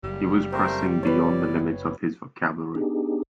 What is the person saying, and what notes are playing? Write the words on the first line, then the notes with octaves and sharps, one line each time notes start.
He was pressing beyond the limits of his vocabulary.
F#1 G3
A3 C4 A#4 C5
B4 C#5 D5
B3 D4 D#4 G4 G#4